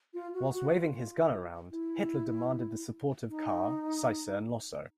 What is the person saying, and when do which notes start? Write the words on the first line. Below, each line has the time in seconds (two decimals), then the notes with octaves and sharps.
While waving his gun around, Hitler demanded the support of Kahr, Seisser and Lossow.
0.14 F4
0.34 F#4
0.53 F#4
0.73 F4
1.71 E4
3.29 D#4